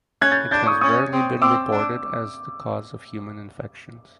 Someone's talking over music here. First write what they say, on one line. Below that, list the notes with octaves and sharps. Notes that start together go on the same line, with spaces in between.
It has rarely been reported as the cause of human infections.
C#4 F#6 G#6
G6 A6
D4 G6 A6
C#6 D#6
C#4 C#6 D#6
C4
C4 D6 E6
D4